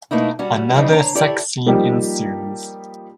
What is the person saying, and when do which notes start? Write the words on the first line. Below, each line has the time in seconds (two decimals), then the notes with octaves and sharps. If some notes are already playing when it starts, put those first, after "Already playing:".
Another sex scene ensues.
0.11 B2 A3 A#3 D#4 E4
0.39 G3 C#4 F#4
0.74 C#3 E3 F#3 G3 D#4
0.92 D4 C#5 A#5
1.15 E4 G4 A4 C#5 D5 E5
1.66 F3 G3 A#3 D#4 G4